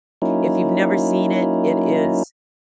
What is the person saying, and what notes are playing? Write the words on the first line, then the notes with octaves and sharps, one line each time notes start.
if you've never seen it, it is
F#3 A#3 C#4 D#4 E4